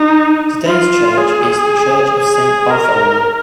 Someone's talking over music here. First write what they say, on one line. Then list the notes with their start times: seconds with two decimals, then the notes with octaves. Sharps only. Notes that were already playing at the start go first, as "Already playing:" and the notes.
Today's church is the Church of Saint Bartholomew.
Already playing: D#4
0.66 F4
1.17 G#4
2.20 G#4
2.70 A#4